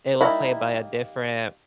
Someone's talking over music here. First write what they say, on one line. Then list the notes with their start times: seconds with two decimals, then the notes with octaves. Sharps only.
it was played by a different
0.21 G3 A#3 D#4 E4 F#4